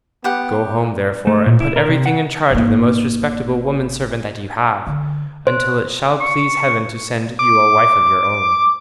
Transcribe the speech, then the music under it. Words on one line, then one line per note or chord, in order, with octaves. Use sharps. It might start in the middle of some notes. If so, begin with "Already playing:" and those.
Go home, therefore, and put everything in charge of the most respectable woman servant that you have, until it shall please heaven to send you a wife of your own.
B3 G4 F#5
A3
A#2
E4
A#4
C3
F#5
G#1 A#3
D3
C5
C#6
D6